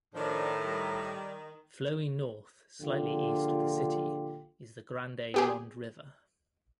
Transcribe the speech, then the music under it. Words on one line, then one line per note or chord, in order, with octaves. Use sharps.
Flowing north slightly east of the city is the Grande Ronde River.
A2 D#3 F3 D4
G3
A#1 D3 F4 G4
B3 G4 G#4